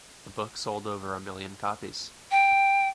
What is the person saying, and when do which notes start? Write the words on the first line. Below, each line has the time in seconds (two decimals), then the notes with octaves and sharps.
The book sold over a million copies.
2.31 G5